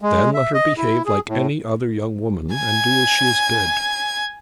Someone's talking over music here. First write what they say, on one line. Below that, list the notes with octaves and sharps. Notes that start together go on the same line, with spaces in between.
'Then let her behave like any other young woman, and do as she is bid.
G#3
E5
D#5
E4
G#4
A2
G#5 G#6